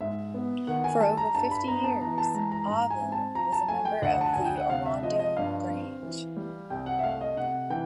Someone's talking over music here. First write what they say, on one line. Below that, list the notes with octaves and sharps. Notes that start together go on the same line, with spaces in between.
For over fifty years, Auvil was a member of the Orondo Grange.
G#2 E5
B3
D#3 F#5
G#5
G3 A5
A#5
G2 A5
B5
B3 A#5
A5
E3 A#5
A5
G#3 A#5
A#5
G#2 A#5
G#5
C4
A5
F3 A#5
A5
A3 G#5
G5
D2 F#5
A5
D2 G#5
G5
F#5
C3 F5
E5
F3 D#5
D#5
G2 F5
C4
E3
G3
C2 G5
F#5
E5
A3 F5
D#5
C3 F#5
E3 G5